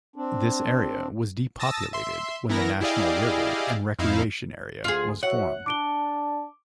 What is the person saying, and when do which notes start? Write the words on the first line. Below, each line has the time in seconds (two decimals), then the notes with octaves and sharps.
This area was depopulated when the National River and Recreation Area was formed.
0.16 C4 D4
1.60 A5 D#6 E6 A6 A#6
1.93 E5 C6
2.49 E3 B3 E4 A#4 A#6
2.81 E4 G4 G#4 D5 D#5 F5
3.99 F2 D#4 E4 F5
4.84 D2 F4 G#4
5.23 F#4 C#5 E5 F#5
5.66 D4 A5 D6 D7 G7